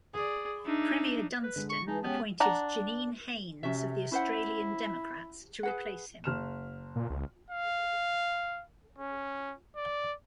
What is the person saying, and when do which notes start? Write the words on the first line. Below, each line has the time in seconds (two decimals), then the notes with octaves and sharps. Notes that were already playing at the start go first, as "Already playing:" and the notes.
Premier Dunstan appointed Janine Haines of the Australian Democrats to replace him.
0.14 G#4 D5
0.66 D4 D#4 E5
1.43 B4
1.56 D3 G#3
1.70 C#6
1.88 E3 G#3 D#4 G#4 A5
2.04 B3 C#4 G4
2.40 D4 F#5 A#5
3.63 C3 C#4 F#4 E5
4.12 C#4 E4 C5 F#5
5.63 G#4 B4 F#5
6.24 F#1 F6 E7
6.96 A#2
7.10 C#2
7.51 F5
8.98 C#4
9.76 D5